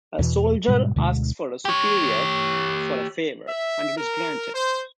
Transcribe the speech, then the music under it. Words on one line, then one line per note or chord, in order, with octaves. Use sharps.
A soldier asks a superior for a favor, and it is granted.
E2 B2 E3
G#2 B2 G3 G#3
D2 B2 D3 G#3
G4 C#5
E5
A#4
C5